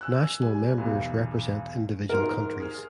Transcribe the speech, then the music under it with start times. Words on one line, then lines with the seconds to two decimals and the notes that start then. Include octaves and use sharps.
National Members represent individual countries.
0.01 G#5 E6 F#6
0.42 G3 G#5
0.78 B1 E2
2.09 G#2 F#4 A#4 C6
2.60 G#4 F6